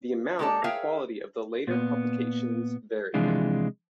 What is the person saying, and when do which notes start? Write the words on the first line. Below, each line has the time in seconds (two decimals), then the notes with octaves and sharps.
The amount and quality of the later publications varied.
0.39 G#3 A#3 G4 A4 D5 A5
0.64 G#4 A#4 C#5 E5 F5 G5
1.67 A#2 B3
3.14 C3 E3 F3 G#3 D4 F4